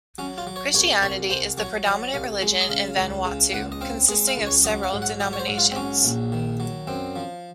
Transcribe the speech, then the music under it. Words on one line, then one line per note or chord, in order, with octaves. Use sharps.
Christianity is the predominant religion in Vanuatu, consisting of several denominations.
F#3 C#4
F4
F#3
C#5
C2 C#5
C2 C#5
C2 C5
F#3 C#5
F#3 D#5
C2 F5
G#3
D#5
C#3 F5
C#2
C#3
C#2 F#5
D#5
C4 F5
G#3 D#5
F5
C#2
C#5
F#3 D#5
F5
G#2
F#5
F#3 D#5
C#5
C5
G#2
F4
C4
F#3 C#4
A#1
D#3
F#3
F#2 C4
F3